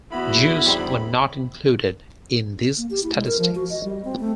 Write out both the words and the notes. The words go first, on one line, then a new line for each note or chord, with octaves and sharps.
Jews were not included in these statistics.
E2 B3 E4 F#4 B5
G3 C4 D#4
A#3
G4
E4
G#3
A#4
F3
F#4
D#5
G3
C4
A3